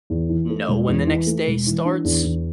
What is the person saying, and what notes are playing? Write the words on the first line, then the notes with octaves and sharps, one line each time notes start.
know when the next day starts,
E2
E3
A3
E1
E2
E3
A3
E1
E3
D4
E2
E2